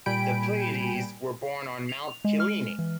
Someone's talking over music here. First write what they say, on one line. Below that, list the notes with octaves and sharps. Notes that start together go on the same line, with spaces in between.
The Pleiades were born on Mount Kyllini.
A#2 G3 G5 G#5 B5 D7
F7
G#3
F6
E3